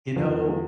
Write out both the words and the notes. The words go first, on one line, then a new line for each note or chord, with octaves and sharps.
You know,
E2 F3